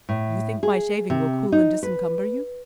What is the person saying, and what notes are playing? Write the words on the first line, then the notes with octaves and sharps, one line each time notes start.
You think my shaving will cool and disencumber you?
A2
G#4
C3
D#4
B4